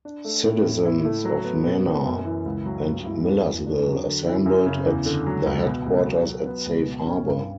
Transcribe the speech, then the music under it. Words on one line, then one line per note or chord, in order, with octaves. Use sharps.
Citizens of Manor and Millersville assembled at the headquarters at Safe Harbor.
D4
A3
A2
A2
E4
A3
F#3
B3
B2
B2
F#2
E3
C#2
F#3
G2
E4
E2
E2
D4
F#3
D3
E4
F#2
C#3
E2
D3
F#3
C#2
B2
C#2
F#3
F#3
B3
C#2
B2
C#4
G2